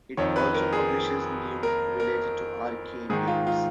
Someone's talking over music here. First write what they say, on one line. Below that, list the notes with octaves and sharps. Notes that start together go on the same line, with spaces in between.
It also publishes news related to arcade games.
F2 D#3 C#5
B4
A#4
G#4
A#4
A#4
G#2 D#3 G#4
F4
F4